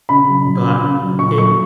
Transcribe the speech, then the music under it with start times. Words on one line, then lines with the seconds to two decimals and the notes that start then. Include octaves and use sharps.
But it
0.09 C#3 B5
0.28 F#3
0.46 F#3
0.64 C#3
0.83 C#3
1.01 F#3
1.19 A#2 C#6
1.37 F#3 C#6